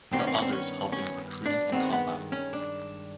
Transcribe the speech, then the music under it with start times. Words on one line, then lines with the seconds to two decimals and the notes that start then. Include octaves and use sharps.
The others help in recruiting and combat.
0.12 G2 D#3 G3 B3 C4
0.19 C#4
0.27 C4
0.34 C#4
0.42 C4
0.52 C#4
0.92 C#4
1.46 D4
1.72 G2 D#3 G#3 B3 C4
1.92 B3
2.32 C#4
2.53 D4